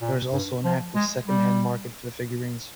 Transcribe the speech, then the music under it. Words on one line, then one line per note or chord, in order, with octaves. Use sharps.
There is also an active second-hand market for the figurines.
A#2
G2
F3
G#3
G3